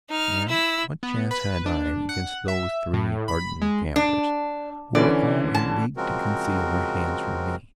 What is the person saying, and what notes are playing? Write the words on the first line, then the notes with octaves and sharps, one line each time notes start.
And what chance had I against those three hardened gamblers, who were all in league to conceal their hands from me?
D#4 F6
E4 E6
B3
B4
D4
F#5
E5
A2
B5
G#3
D4
D3 E3 C#4 D5
A5
C#3 F3 G#3 C4 F#4 A#4